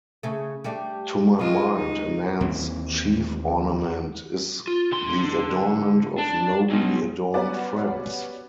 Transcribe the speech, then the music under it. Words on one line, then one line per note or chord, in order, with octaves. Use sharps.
To my mind a man's chief ornament is the adornment of nobly-adorned friends.
C#3 A3
G3 A3 D4
C#3 G#3 F4 D#5
D#4
D#2 E3 A#3 C4
F4
D3 C6
D4
B2 F#3
B3 C#4 F#4 G4 B4 D5